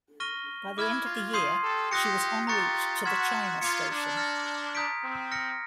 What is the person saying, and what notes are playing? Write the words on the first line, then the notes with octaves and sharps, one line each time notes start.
By the end of the year, she was en route to the China Station.
C#6 F6 A#6 D#7 G7
E4 D6 F6 G#6
F4
C6 D#6 G6 C7 D#7
G4 A4
F4 G4 D#6 F#6 A#6 C#7
F4 G4 A#5 C#6 F#6 A6 C#7
F#4 C6 F6 G#6 B6 E7
F4 D6 F6 G#6 C#7
D4
F6 A#6 C#7
A#5 D#6 G6 B6 D7
C4
F6 A#6 C#7